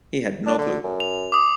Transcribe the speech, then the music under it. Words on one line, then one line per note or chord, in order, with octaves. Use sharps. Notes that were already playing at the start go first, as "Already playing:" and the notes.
He had no clue.
D4
D3
F#2
F7
D6 D#6